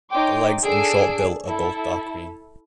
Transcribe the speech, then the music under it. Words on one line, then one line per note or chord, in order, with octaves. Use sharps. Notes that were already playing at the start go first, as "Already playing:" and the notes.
The legs and short bill are both dark green.
D#4 C#5 G5 C6 D6
D4 G#4 A4 E6 C7 D7
E4 A4